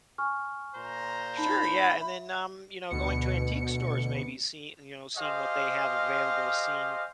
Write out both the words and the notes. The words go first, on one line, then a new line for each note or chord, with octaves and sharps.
Sure, yeah, and then, um, you know, going to antique stores, maybe see, you know, seeing what they have available, seeing,
G#5 C#6 F6
A#2 C5 A#5
D#4 A5 B5
E5
D2 B2 C#7
G4 G#4 C5 D#5 F5